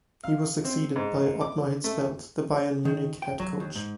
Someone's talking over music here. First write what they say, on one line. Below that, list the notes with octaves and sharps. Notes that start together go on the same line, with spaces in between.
He was succeeded by Ottmar Hitzfeld the Bayern Munich head coach.
F5
C4
G#2
D6
A3
D#3
G5
F#3
D#2
G#2